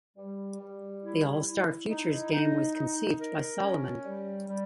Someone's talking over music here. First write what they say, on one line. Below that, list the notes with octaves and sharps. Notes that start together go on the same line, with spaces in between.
The All-Star Futures Game was conceived by Solomon.
G3
G3
E4
E4
D#4
D#4
D#4
A#4
C#4
G3
G3